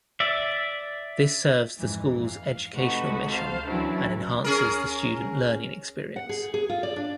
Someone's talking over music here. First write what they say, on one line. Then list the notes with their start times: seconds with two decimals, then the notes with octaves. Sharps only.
This serves the school's educational mission and enhances the student learning experience.
0.20 D5 E5
1.76 F2 G#2 E3
2.26 F5
2.74 C3 A3 D#4 F#4 B4
3.30 C5 F5 A5
3.67 E3 F#3 C#4 D4 E4 F#4
4.44 C#4 G#4 A#4
6.16 F#5
6.29 G#4
6.54 G#4
6.69 F4
6.83 D5
6.96 D4